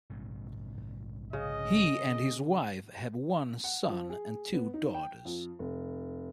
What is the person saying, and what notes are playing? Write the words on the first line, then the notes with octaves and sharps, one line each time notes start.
He and his wife have one son and two daughters.
A#1 G#2 C3
C#3 D#5
F#5
F3
G#4
B3
D#4
G5
F2
F1